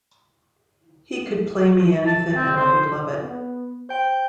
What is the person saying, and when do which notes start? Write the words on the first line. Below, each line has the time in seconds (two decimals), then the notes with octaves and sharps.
He could play me anything, and I would love it.
2.07 A5
2.36 C4
2.56 C5
3.23 B3
3.89 C5 G5 G6